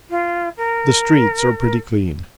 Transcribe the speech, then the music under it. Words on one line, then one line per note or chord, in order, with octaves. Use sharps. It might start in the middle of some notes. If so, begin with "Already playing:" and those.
The streets are pretty clean.'
F4
A#4